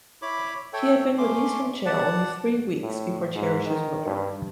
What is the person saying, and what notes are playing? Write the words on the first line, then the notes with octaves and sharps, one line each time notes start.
He had been released from jail only three weeks before Cherish’s murder.
E4 C#5 B5 D6
A4 C#5 E5 G5
A3 C#4 C6 D6
D5 F#5 A5
A2
G#2
D#3
G2